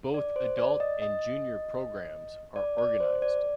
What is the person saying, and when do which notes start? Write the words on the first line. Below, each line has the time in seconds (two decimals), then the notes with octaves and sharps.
Both adult and junior programmes are organized.
0.14 D5
0.36 C5
0.58 D5
0.80 D#5
1.02 D#5
2.56 D5
2.78 D5
3.00 C5
3.22 D5